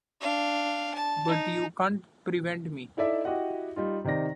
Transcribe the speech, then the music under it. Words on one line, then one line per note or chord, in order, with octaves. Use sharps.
But you can’t prevent me.
D4 F5
A5
D#4
D#4 E4 A4 D5 E5
E4 F#4 G4 D#5 F#5
G3 D#4 F4
C3 D#3 D#4 D5 A#6